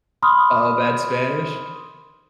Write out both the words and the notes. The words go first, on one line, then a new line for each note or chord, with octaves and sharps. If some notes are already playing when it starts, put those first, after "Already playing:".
Oh, bad Spanish?
B5 C6 D#6 F6